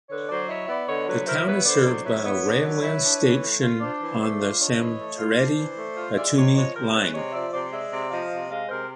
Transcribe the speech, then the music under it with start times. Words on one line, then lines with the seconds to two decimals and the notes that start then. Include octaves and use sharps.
The town is served by a railway station on the Samtredia - Batumi line.
0.09 D3 B4 C#5
0.28 F#3 C5 D5
0.48 E4 C#5 D#5
0.67 B3 D5 E5
0.87 D3 C#5 D#5
1.06 F#3 B4 C#5
1.26 E4 A#4 C5
1.46 B3 B4 C#5
1.65 D3 C5 D5
1.84 F#3 C5 D5
2.04 E4 B4 C#5
2.24 B3
2.44 D3
2.63 F#3
2.83 E4
3.02 D4
3.22 E3
3.42 A3
3.62 F4
3.80 D4 C5 D5
4.00 E3
4.19 A3 C5 D5
4.39 F4
4.58 D4 C#5 D#5
4.78 E3
4.98 A3
5.17 F4
5.37 D4 C5 D5
5.57 E3
5.76 A3
5.96 F4
6.15 G#3 D5 E5
6.34 C3 C#5 D#5
6.54 F3 C#5 D#5
6.73 C3 A#4 C5
6.93 G#3 B4 C#5
7.12 C3 C#5 D#5
7.32 F3 D5 E5
7.52 C3 C5 D5
7.71 G#3 D5 E5
7.91 C3
8.10 F3 D#5 F5
8.31 C3
8.49 G#3 D#5 F5
8.69 C3 A#4 C5